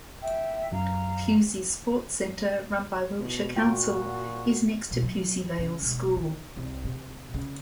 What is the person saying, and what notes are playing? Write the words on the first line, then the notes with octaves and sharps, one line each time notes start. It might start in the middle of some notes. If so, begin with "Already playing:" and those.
Pewsey Sports Centre, run by Wiltshire Council, is next to Pewsey Vale School.
E5 G5
F#2 F#3 F5 A#5
B2
A#2 F4 F#4 G5
B2
F#3
C#3
E1
D#3
C2
C3
C#3